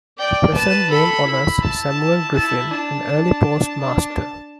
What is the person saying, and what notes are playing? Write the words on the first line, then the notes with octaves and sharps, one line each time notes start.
The present name honors Samuel Griffin, an early postmaster.
D5 G5
B4 A5
A4 B5
E4
A5
E4 A5
D4 A5
D4